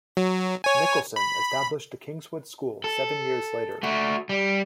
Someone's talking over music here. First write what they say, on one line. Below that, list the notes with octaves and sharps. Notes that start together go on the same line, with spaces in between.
Nicholson established the Kingswood School seven years later.
F#3
C#5 G#5
B5
A4
A3 F#4
G3